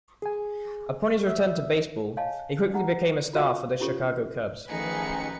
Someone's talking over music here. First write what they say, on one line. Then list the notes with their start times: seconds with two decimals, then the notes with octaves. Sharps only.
Upon his return to baseball he quickly became a star for the Chicago Cubs.
0.22 G#4 G#5
1.27 E5
2.17 C#5 D#5 F5 G#5 A5
2.74 D#4 F#5 A#5
3.33 F4 F#4 F5 E6
3.80 C#4 E4 F4 G4 A4 C#5
4.69 A1 D#3 F3 D#4 G#4 B4 C#7